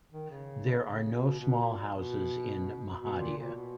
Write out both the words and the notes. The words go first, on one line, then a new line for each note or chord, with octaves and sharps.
There are no small houses in Mehadia.
D#3
C#3
C#3
B2
B2
A#2
B2
B2
A#2
A#2
B2